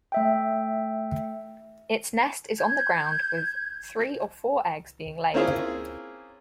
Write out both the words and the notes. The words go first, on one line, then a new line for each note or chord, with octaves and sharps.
Its nest is on the ground, with three or four eggs being laid.
A3 E5 G5
G6 G#6
A#3 C4 C#4 E4 F4 G#4